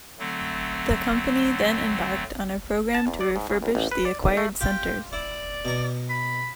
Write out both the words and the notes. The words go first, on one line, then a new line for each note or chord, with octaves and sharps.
The company then embarked on a program to refurbish the acquired centres.
D3 F#3 A3 C4
A5
E2
D5
G#2
C#3
C#2
A1
B4
D5
B1
A3
F4 G4
E4 D5
B2 A#5
B5